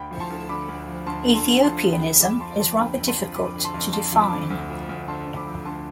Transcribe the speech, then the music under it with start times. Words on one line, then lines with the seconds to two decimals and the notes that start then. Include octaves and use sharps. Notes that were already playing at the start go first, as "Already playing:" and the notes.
Ethiopianism is rather difficult to define.
Already playing: D2 G5 B5
0.11 F3
0.20 A5 C6
0.30 D2
0.49 D3 B5 D6
0.68 D2
0.88 F3
1.06 D2 A5 C6
1.25 D3
1.35 A5 C6
1.45 D2
1.63 F3 A5 C6
1.83 D2
1.93 G5 B5
2.01 D3
2.21 F2 B5 D6
2.40 F3 A5 C6
2.59 F2 A5 C6
2.78 D3 G5 B5
2.98 F2
3.07 A5 C6
3.17 F3
3.36 F2 B5 D6
3.56 D3
3.64 A5 C6
3.74 F2
3.93 F3 A5 C6
4.12 F2
4.22 B5 D6
4.31 D3
4.50 D2
4.70 F3
4.89 D2
5.08 D3 A5 C6
5.27 D2
5.36 B5 D6
5.46 F3
5.65 D2 A5 C6